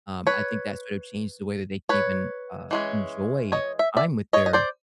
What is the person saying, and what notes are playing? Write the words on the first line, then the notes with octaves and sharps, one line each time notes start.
um, I think that sort of changed the way that they can even, uh, enjoy time with their
B4 C#5
B4 C#5
E3 G#3 C#4
C#5 D#5
E5
D5 E5
C#5 D#5
D#5
C5 D5